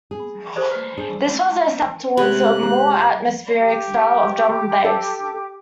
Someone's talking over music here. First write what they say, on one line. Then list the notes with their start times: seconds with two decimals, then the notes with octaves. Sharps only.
This was their step towards a more atmospheric style of drum and bass.
0.11 G#4
0.56 A4 C5 D5
0.71 B4
0.97 D4 G#4
2.17 C3 G#3 G4 G#4 C#5 F#6
3.61 G4
4.85 A4